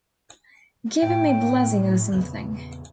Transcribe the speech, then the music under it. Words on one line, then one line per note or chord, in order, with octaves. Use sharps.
Give him a blessing or something.
A2 G5
E2 A#2 C#3 B3